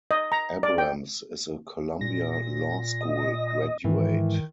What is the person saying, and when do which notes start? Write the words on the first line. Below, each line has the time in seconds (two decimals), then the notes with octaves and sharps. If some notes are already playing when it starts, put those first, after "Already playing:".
Abrams is a Columbia Law School graduate.
0.11 D#5
0.32 A#5
0.63 D5
0.78 G5
2.01 A#2 A#6
3.01 D#5
3.84 G#2 D#3 E3